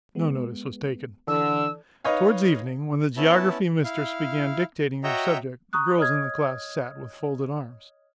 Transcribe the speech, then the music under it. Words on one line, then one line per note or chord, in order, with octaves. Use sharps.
No notice was taken. Towards evening, when the geography mistress began dictating her subject, the girls in the class sat with folded arms.
G#3 B3
D3 E3 A4 D5 E6
D#4 B4 C#5 D#5 F5
B3 C#4 E4 A5
E4 F5
F#4 C#5 D#5 E5 G5 A#5
A#5 C#6 D#6 F#6
C#5 D#5 D#6 F6 G#6